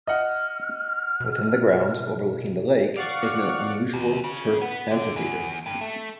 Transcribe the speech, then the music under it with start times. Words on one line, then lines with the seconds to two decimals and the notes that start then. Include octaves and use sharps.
Within the grounds, overlooking the lake, is an unusual turfed amphitheatre.
0.07 D#5 F#5 F6
1.20 B2
2.96 D5 F5 F#5 C#6
3.94 D#2
4.24 C#3
4.62 B3
4.91 D3
5.16 E2
5.66 G2
5.81 A3